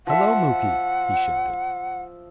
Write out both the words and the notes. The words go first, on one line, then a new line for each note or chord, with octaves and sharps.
"Hello, Muky!" he shouted.
F3 E5 F#5